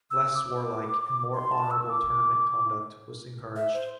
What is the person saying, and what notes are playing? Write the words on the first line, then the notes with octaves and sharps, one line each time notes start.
Less warlike and more honorable tournament conduct was encouraged.
E6
D6
C6
A5
E6
D6
E5
C5